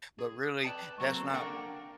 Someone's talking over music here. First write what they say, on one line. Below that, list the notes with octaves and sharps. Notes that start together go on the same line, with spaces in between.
but really that's not
G#4
B4 D5 G5 A5
F#3 A#3 C4 A4
A#3 D4 A#4 F#5 G5